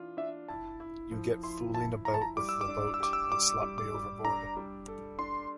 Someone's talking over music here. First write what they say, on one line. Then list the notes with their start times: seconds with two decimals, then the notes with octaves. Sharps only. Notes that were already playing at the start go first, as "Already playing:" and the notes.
You get fooling about with the boat, and slop me overboard.
Already playing: E3 D4 F4
0.17 D4 E5
0.48 E4 A5
0.80 E4
1.11 F3
1.43 E4 C6
1.74 E4 A5
2.05 E4 A#5
2.14 A5
2.22 A#5
2.37 G3 D6
2.49 E6
2.61 D6
2.68 D4
2.94 E6
3.00 G4 D6
3.13 E6
3.32 G3 D6
3.62 G3
3.78 D6
3.94 G3
4.25 D4 A#5
4.57 G3
4.88 A4
5.18 D4 C6